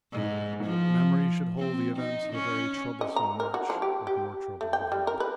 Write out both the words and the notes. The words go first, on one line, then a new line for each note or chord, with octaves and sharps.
Memory should hold the events of a very troublesome march with more troubles ahead.
G#2
F3
C4
D#4
C#4
D#5
A#5
A#4
F#4
F3
G4
G4
A3
G5
G3
A#4
B4